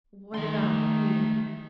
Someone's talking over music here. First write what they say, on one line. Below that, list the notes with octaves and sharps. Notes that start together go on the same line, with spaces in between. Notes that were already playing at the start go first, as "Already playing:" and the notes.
"What about--Nita?"
D#3 A3 C6